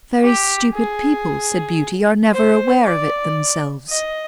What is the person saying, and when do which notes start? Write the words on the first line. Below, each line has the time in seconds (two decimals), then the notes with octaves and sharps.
"Very stupid people," said Beauty, "are never aware of it themselves."
0.23 G4
0.74 G#4
2.32 C5
2.84 D5
3.89 D#5